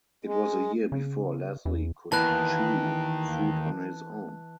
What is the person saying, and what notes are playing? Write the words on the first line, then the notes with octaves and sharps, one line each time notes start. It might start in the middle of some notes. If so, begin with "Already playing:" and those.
It was a year before Leslie could chew food on his own.
G#3
C#3
E2
D#2 D#3 E3 B3 B4 A5 F#6